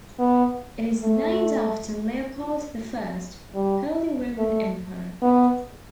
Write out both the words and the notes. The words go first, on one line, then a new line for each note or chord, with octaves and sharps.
It is named after Leopold the First, Holy Roman Emperor.
B3
A3
G3
A3
B3